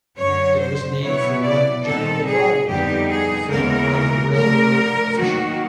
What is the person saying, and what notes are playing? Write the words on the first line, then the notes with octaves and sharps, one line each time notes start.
It was named for one General Broadwater, the friend of a railroad official.
F#2 D3 F#3 C#5
C5
B2 F#3 B3 E4 C#5
D5
A#2 G3 C4 D#4 A4
G#4
F2 D3 G3 B3 D#4 G4
G#4
D#2 C#3 E3 G#3 B3 A#4
D3 F3 A3 A#4
D#3 F#3 A#3 F#4